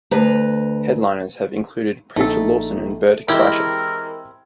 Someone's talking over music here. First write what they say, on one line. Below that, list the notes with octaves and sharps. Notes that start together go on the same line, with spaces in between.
Headliners have included Preacher Lawson and Bert Kreischer.
D2 B4 A#5
A#1 A3 D#4 A4
E3 G#3 C4 E4 G4 A#4 E6 G#6